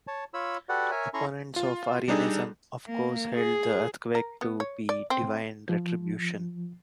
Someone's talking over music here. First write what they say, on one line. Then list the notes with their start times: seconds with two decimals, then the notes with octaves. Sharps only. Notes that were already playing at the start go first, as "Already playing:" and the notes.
Opponents of Arianism of course held the earthquake to be divine retribution.
0.08 C#5 A5
0.34 F4 C#5 B5 E6
0.69 F#4 G4 A4 B4 D5 F#5
0.91 A#4 C#5 E5 G#5
1.14 C#4 E4 A4 A#5 C6 C#6
1.56 F4
2.08 G3 D4 D#4 G#4 A4
2.88 A#3
3.34 G#4
4.15 A#4
4.41 B3
4.60 C#5
4.89 D5
5.10 C4
5.69 F3